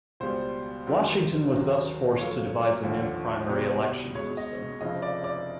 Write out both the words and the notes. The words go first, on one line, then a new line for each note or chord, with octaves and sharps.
Washington was thus forced to devise a new primary election system.
C#2 B2 G3 C5
F#2 D#3 G3
D#2 D#3 F#3
F#2 C#3 F3 A3 C#5
D#2 D3 F3
C2 B2 G3
E2 B2 G#3 C#5
D#5
F1 F2 C#3 E3 D#5
D5
D5